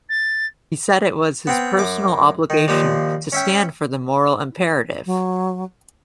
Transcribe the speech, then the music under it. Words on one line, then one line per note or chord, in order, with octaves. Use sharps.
He said it was his personal obligation to stand for the moral imperative.
A6
B3 C4 G5
F#2 D6
D#3
D#2 A#2 F3
C#4 E5 G5
F#3